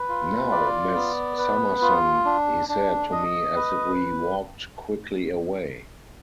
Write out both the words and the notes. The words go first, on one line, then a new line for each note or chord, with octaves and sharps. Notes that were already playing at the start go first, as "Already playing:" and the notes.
"Now, Miss Summerson," he said to me as we walked quickly away.
Already playing: B4
F4
D5
B3
B4
F4
D4
D4
D#5
B4